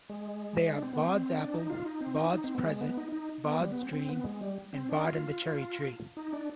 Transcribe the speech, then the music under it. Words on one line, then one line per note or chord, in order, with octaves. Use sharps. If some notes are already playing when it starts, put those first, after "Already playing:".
They are: "Bod's Apple", "Bod's Present", "Bod's Dream" and "Bod and the Cherry Tree".
G#3
D4
C4
B3
C4
D4
D#4
F4
D#4
C4
D#4
D#4
C4
B3
G#3
B3
D#4
D#4
B3
G3
B3
C4
C4
B3
G#3
G3
C4
D4
F4
D#4
D4